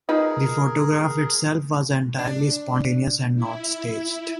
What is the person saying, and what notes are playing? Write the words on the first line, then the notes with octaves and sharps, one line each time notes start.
The photograph itself was entirely spontaneous and not staged.
D#4 F4 G#4 A#4 B4
D4
E4